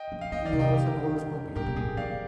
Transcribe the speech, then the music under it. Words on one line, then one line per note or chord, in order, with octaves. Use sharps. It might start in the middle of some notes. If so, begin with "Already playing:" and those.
He owns an Oldsmobile.
Already playing: D#5 G5
F3
F5
D#3 D#5 G5
D5 F5
C3
D#5 G5
G4 A#4
G#2 G4 A#4
A#2
A#2 G#4
D#3 D5 F5